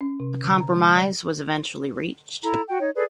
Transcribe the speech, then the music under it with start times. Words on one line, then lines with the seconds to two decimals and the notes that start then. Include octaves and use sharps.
A compromise was eventually reached.
0.01 C#4
0.20 C3
0.42 D3
0.60 A#5
0.74 G#3
0.96 D5
2.43 E4 A4 A#5
2.68 F#4 G5
2.80 D#4 C#5
2.95 G#4 A4 B4 D5